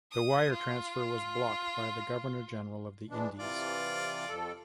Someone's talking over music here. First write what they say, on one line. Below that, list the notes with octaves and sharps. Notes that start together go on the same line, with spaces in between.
The wire transfer was blocked by the Governor General of the Indies.
D#6
F4
E3 G#3 D4
C3 E3 F4 D5
F2 A4